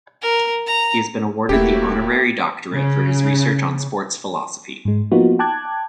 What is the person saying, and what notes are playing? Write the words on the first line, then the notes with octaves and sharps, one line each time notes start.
He has been awarded the Honorary Doctorate for his research on Sports Philosophy.
A#4
A#5
E1 A3 A#3 E4 F#4 G4
C#3
G#2 G#3
F3 A#3 B3 D#4 F4 F#4
G5 A5 D6 F#6 G#6